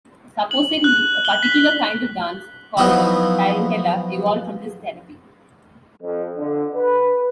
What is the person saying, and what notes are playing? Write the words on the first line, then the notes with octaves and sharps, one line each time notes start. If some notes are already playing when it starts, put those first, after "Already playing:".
Supposedly a particular kind of dance, called the tarantella, evolved from this therapy.
F#7
F#6
G7
B6
F3 F#3 B3 D#4 E4
F2
D3
B4